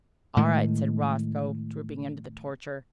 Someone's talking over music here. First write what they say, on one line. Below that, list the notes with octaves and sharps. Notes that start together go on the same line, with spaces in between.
"All right," said Roscoe, drooping under the torture.
A2 D#3 G#3